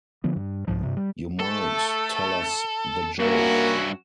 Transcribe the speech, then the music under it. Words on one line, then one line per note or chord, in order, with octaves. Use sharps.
You might tell us the joke.
D3 F3 B3
G2
C2 G#2 F3
G2 C3
G3
A3 A4
G2 A#3 C#4 E4 F#4